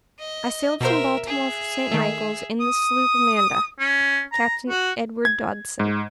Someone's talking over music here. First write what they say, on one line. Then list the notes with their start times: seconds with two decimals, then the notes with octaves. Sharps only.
I sailed from Baltimore for St. Michael's in the sloop Amanda, Captain Edward Dodson.
0.19 D#5
0.81 B2 A#4 C5 E5
1.27 G#4 E5
1.92 D#3 A3
2.60 D#6
3.80 C#4
4.32 A#5
4.70 F#4
5.25 G#6
5.80 G#2